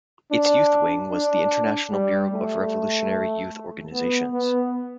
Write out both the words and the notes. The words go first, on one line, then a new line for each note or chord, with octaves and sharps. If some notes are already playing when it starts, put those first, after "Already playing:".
Its youth wing was the International Bureau of Revolutionary Youth Organizations.
D4
D4
G3
A3
B3
B3